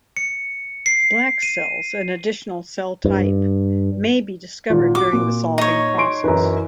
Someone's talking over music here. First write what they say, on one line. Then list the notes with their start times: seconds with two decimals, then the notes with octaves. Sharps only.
"Black" cells, an additional cell type, may be discovered during the solving process.
0.17 C#7
0.86 C7
1.43 D#7
3.05 G2
4.70 G#1 A#2
4.95 F#4 D6
5.13 A#2
5.58 D#4 C#5
5.98 C6 C#6 D7
6.24 F#2 E3 B4 A#5